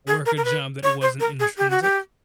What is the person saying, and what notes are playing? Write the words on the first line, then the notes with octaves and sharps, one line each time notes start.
work a job that wasn't intrinsic,
G#4
A#4
A#4
B4
C#5
C5
A#4
G#4
G4
F#4
G4